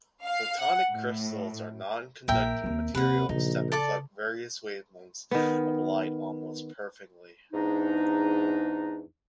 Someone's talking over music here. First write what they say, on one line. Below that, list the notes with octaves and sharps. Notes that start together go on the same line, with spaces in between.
Photonic crystals are non-conducting materials that reflect various wavelengths of light almost perfectly.
F5
F#5
A2
A#1 F4 A#4 E5 G5
D#2 C4
D#2 C3 B4 F#5
A#1 C#3 D#4
A4 D5 A5
D#3 B3
E2 G#2 D4 D#4